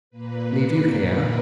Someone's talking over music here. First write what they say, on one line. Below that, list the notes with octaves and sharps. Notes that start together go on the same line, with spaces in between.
"Leave you here!"
A#2 A#3 B4
A#4